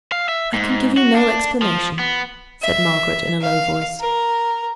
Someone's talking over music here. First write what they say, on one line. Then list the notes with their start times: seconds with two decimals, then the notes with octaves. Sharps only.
'I can give you no explanation,' said Margaret, in a low voice.
0.12 F5
0.29 E5
0.54 G#2
0.97 F#4
1.15 D4
1.62 F3
1.99 B3
2.61 E5
3.41 F5
4.00 A#4